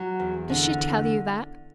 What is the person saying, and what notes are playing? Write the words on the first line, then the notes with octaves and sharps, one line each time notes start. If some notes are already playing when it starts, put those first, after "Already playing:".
"Did she tell you that?"
Already playing: F#3
E2
D3
E2